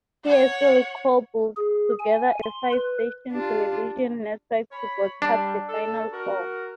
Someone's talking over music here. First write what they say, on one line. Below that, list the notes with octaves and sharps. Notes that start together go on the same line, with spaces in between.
He hastily cobbled together a five-station television network to broadcast the Final Four.
C#5 F#5
G#4
G#5
C6
B4
D4 F4 G4 F5
C#5 B5
G3 D4
A4
F#4 A#4